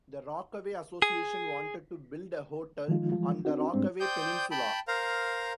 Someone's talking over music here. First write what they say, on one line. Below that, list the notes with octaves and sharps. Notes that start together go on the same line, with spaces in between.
The Rockaway Association wanted to build a hotel on the Rockaway peninsula.
G#4
D#3 F3 G#3 D#4 F4
E3 F3 G3 G#3 F4
C4 D4 D#4 F#4
G#2 G3 G#3 C4 D4
C5 D5 G5 D#6 G6
G5 A5 B5
A#4 C5 F5 A#5